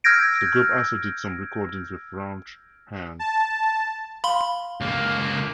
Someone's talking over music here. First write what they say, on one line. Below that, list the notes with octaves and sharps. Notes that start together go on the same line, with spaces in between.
The group also did some recordings with Raunch Hands.
E6 F6 G6 G#6 A#6 D7
A5
F5 B5 C6
C#2 A#3